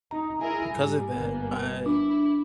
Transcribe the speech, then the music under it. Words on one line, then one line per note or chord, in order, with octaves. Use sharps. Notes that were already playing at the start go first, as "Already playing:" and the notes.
because of that, I
D#4 A#5
E4 G#4 A#4 G#5
G#2 G3
G1 A#3 B3
D4 E4